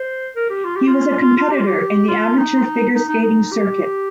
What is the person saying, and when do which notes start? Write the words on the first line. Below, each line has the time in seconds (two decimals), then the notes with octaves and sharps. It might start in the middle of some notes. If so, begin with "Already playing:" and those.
He was a competitor in the amateur figure skating circuit.
Already playing: C5
0.36 A#4
0.50 G4
0.64 F4
0.76 G4
0.87 F4
1.21 F4
1.37 F4
1.50 G4
1.59 F4
1.66 G4
2.08 F4
2.37 D#4
2.95 D#4
3.09 D#4
3.23 D#4
3.52 G4